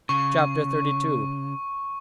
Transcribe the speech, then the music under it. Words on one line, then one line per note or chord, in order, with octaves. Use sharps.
Chap. XXXII.
C#3 C#6